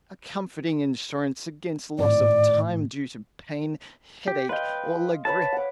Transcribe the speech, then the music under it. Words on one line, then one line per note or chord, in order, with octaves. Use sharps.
A comforting insurance against loss of time due to pain, headache or la grippe.
G#1 A2 D5
G4
B4 D#5 F5 G5 C6
B4 C#5 A5 B5
F#5 D6